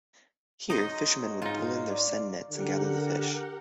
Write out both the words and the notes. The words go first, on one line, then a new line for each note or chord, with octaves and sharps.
Here, fishermen would pull in their seine nets and gather the fish.
F#3 G#3 D#4 D#5
G#2 D#4 F4
D5
D3 G4 A#4 F#5